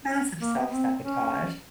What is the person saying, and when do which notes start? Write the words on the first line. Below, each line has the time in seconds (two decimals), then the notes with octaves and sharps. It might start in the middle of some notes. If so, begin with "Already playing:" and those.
massive self-sabotage.
0.41 A#3
0.56 B3
0.71 C4
1.02 C#4